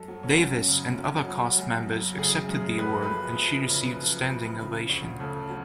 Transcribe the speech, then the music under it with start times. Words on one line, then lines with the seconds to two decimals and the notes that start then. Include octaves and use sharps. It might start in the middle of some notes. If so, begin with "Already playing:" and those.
Davis and other cast members accepted the award, and she received a standing ovation.
Already playing: F#2 A4
0.08 F#3
0.23 C#4
0.38 F#2 C#4
0.68 C#3
0.98 F#3
1.29 F#3
1.58 F#2
1.88 F#3
2.18 C#3 G#4
2.49 F#2
2.78 F#2 B4
3.02 B4
3.09 F3
3.39 F3
3.69 C#3
3.99 F3
4.29 F3
4.60 C#3
4.89 D2
5.19 C#3 A4
5.50 F#3